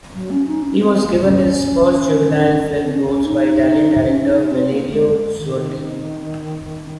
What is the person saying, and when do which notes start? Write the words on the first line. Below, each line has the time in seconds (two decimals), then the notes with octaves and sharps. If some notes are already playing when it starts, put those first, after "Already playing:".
He was given his first juvenile film roles by Italian director Valerio Zurlini.
0.14 F#3
0.30 C#4
0.47 D#4
0.62 C#4
0.79 C4
1.01 A#3
1.23 C#4
2.84 C4
2.92 C#4
3.08 C#4
3.25 D#4
4.06 C#4
4.21 C#4
4.28 D#4
4.51 C4
4.72 A#3
4.94 G#3
5.37 D#3